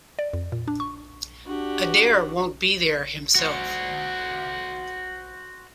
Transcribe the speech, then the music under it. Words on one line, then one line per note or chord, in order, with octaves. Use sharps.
Adair won't be there himself.
D5
F2
A#2
D4
C#6
D4 F#4 G4
F#4 C5